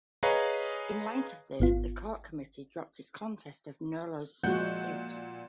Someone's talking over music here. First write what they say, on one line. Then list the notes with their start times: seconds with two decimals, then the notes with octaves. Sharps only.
In light of this, the court committee dropped its contest of Nolo's suit.
0.23 G#4 B4 C#5 D#5 F5 A#5
1.60 G#1 B3 F4
4.44 A#2 F3 G#3 F#4 F#5 G6